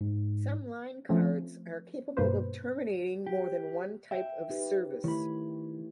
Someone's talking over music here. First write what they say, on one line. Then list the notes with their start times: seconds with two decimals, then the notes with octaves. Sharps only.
Some line cards are capable of terminating more than one type of service.
0.01 G#2
1.09 F3 A3 C4 C#4
2.17 G2 B2 A#3 B4 C5
3.27 G4
4.11 E5 G5
4.50 D#4 G4 B4
5.04 D#3 A3 E4 C#5 B5